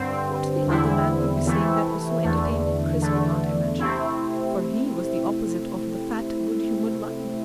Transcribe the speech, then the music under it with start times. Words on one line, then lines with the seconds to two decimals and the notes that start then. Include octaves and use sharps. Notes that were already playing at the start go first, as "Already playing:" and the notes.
What the other man could be saying that was so entertaining Chris could not imagine, for he was the opposite of the fat good-humored one.
Already playing: G2 D3 C4
0.67 E2 D3 C4 E4
1.46 C3 E3 A3 E4
2.24 E2 D3 A3
3.02 E2 D3 A3
3.79 C3 A3 C4 E4